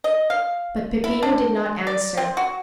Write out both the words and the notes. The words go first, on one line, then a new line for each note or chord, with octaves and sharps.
But Peppino did not answer.
D#5
F5
E4
D4
D5
C4
F#4